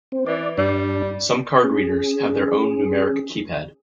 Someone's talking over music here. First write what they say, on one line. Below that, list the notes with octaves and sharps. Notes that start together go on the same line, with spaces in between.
Some card readers have their own numeric keypad.
C4
E3 D5
G2 G3 D4
C#4 G#4